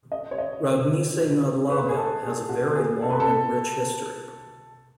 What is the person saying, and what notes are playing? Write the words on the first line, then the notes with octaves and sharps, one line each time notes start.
Roudnice nad Labem has a very long and rich history.
D#5
C#5
D#5
B4
G#4
A4
G#4
F#4
G#4
A4
B4
A4